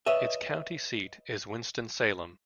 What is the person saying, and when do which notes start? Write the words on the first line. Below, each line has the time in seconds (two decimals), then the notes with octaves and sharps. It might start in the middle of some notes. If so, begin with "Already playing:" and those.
Its county seat is Winston-Salem.
0.06 B4 C#5 D#5 E5